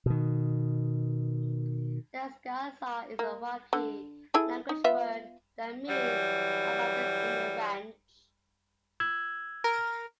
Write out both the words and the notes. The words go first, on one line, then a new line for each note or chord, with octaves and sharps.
Destghil sar is a Wakhi language word, that means above the inner ranch.
B2 D#3
A#3
D3
E4 G#4 A4
D#4
B3 F4 E5
E3 F#3 G3
E6 G#6
A#4